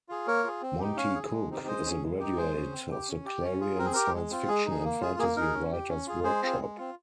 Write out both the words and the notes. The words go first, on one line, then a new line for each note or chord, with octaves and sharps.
Monte Cook is a graduate of the Clarion Science Fiction and Fantasy Writer's Workshop.
F4 G#4
A#3 A#4 C#5
F4 G#4
C4
D#4 G4
C#4 C#5 F5
G#4
G#3
C4 D#4 G4
G#3 C5 D#5
C#4 G#4
G#3
D#4 G4
G#3 G#4 C5
C#4 G#4
C4
G4
C#4
G4
C#4
F4 G#4
C4 A#4
G#4
G4 A#4
G#3
C4 F4
G#3 G#4
D#4 G#4
A#3
F4 G#4
A#3 G#4
D#4 G#4 A#4
C#4
G4
C#4
F4 G#4
G#3 G#4 C5
C4 F4 G#4
G#3
C4 F4